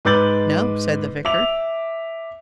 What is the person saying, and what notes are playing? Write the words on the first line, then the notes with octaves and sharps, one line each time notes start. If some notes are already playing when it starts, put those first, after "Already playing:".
"No," said the vicar.
G#2 B4 D6 G6 A6 F#7
E5 D6 F7